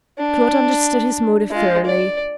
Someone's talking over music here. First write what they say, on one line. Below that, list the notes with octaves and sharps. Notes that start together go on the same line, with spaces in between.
Claude understood his motive thoroughly.
D4
G#3 F4
D5